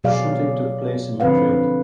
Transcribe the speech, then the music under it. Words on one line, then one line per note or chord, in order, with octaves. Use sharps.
Shooting took place in Madrid.
B2 F#3 G#4 D5 F5
D3 F3 C4 B4 F5 F#5